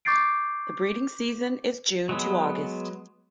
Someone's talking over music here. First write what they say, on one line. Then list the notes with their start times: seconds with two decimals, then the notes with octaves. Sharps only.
The breeding season is June to August.
0.05 C#6 D6 G6 A6 C7 D7
2.09 F#3 G#3 B3